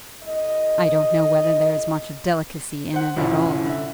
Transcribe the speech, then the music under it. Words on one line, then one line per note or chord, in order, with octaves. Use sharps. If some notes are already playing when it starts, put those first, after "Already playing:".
"I don't know whether there is much of delicacy in it at all."
C3 E4 A4 D#5
C5 F#5
C2 F2 A2 C#4 E4
D3 E5